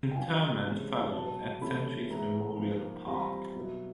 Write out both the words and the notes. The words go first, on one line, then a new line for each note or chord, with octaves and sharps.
Interment followed at Centuries Memorial Park.
G5
F#3 B3 D4 F4 G#5
C3 E3 G#3 C#4
B2 F#3 B3 A5
C3 E3 A3 C#4 E4 B5
E3 G#3 B3 E4 A#5
F3 A#3 D#4
E3 G3 C4 F4 A#5
B5
A#5
B2 F#3 B3 E4